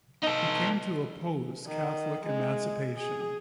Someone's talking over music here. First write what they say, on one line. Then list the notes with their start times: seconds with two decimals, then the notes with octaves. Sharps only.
He came to oppose Catholic emancipation.
0.23 D#4 A4
1.67 D#3
2.25 G#3
2.96 G#4